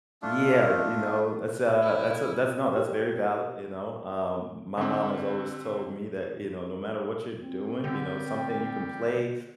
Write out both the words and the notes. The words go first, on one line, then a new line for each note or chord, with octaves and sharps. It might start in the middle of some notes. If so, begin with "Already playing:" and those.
Yeah, you know, that's, a that's a that's No, that's very valid, you know. Um, my mom has always told me that, you know, no matter what you're doing, you know, something you can play,
A3 D4 F4
E4
G4
D3 C4
C4
D3 G3 G5